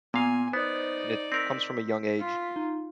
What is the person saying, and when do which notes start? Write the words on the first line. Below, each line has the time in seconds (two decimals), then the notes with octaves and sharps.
and it comes from a young age-
0.14 A#2 B3 F5 G#5
0.53 B3 D#4 C5 D5
1.32 C4 A#4 B6
2.19 F4
2.56 D#4